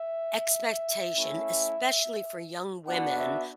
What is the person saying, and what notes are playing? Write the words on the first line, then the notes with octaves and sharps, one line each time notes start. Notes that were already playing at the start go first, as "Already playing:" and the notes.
expectation, especially for young women,
Already playing: E5
A3 C#4 E4
B3 D4 F#4 F#5
E5